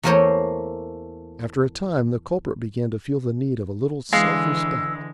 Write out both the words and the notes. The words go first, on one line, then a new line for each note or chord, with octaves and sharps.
After a time the culprit began to feel the need of a little self-respect.
E2 A3 A#3 A#4 C5 C#5
D3 E3 G#3 F5 E6